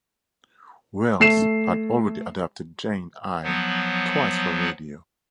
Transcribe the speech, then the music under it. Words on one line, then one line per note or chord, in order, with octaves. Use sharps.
Welles had already adapted "Jane Eyre" twice for radio.
A3 C7 E7
F3 F#3 B3